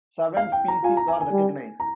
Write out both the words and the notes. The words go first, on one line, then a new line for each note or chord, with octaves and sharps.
Seven species are recognized.
F5
G5
A#5
F4 G#5
A#5
G#5
G#5
G3
A#5